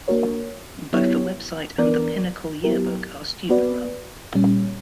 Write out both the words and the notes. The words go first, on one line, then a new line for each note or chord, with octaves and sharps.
Both the website and the "Pinnacle" yearbook are student-run.
A#3 D4 F#4 A#4 C#5
F#3 B3 E4 G4 C#5
E3 B3 D4 A#4 D5
F#3 B3 E4 G4 A#4
B3 F#4 B4 D5
A#2 G3 C#4